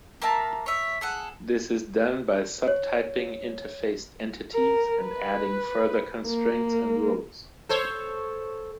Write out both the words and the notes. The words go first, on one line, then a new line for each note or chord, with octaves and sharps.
This is done by subtyping interfaced entities and adding further constraints and rules.
A#3 A#4 E5 A5
C#5 E5
G#4 A4 F#5
C#5
A#4
B4
A#3
A4 C5 C#5